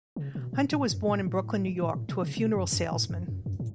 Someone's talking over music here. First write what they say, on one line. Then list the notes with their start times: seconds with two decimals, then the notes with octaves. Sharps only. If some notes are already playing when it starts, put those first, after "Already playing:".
Hunter was born in Brooklyn, New York, to a funeral salesman.
0.16 C#3
0.35 B2
0.53 A2
0.72 A2
0.90 F#2
1.08 A2
1.27 A2
1.82 A2
1.95 A2
2.09 B2
2.23 C#3
2.37 B2
2.55 F#2
2.72 F#2
2.92 A2
3.10 F#2
3.28 F#2
3.46 F#2
3.60 A2